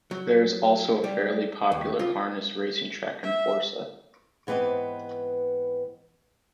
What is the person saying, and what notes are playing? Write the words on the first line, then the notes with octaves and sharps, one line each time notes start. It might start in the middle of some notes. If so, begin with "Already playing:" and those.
There is also a fairly popular harness racing track in Forssa.
F#3
G3
D#2
F4
E5
G#2 E3 B3 C4 D#5